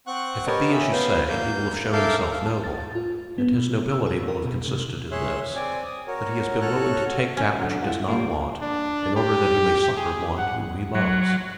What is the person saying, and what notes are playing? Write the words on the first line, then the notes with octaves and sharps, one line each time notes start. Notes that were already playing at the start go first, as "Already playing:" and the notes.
If it be as you say, he will have shown himself noble, and his nobility will have consisted in this, that he has been willing to take that which he does not want, in order that he may succour one whom he loves.
C4 F#5 C#6 F#6
G4 A#4 B4 C#5 D#5 A5
C#4 E5 B5
B3 F4 B4 C5
A#3 G6
A4 A#4 E5 F5 D6 G6
A5
A6
F4
B3
B2
E6
G#4
A#4
B2
C3
G#4 C#5 E5 C6 E6 F#6
C4 D5 G#5
D#6
F#4 A#4 C#5
F#4 A4 C#5 F6 F#6
C#4
D3 F#3
E4 F4 F#5
A#2 G3 A#3
D4
G4
G#4
F#5
F#3